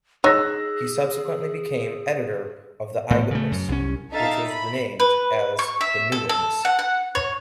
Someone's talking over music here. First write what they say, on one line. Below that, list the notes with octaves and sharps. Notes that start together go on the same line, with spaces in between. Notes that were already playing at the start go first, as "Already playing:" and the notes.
He subsequently became editor of the "Eye-Witness", which was renamed as the "New Witness".
D#4 G#4 C#5 E6 F#6 A#6
A2
C#3 A3
F#2
C2 C#4
D#4 A4 E5 F5 A6
B5
B4
C#6
E5
A4
A4
F#5
F#5
C#5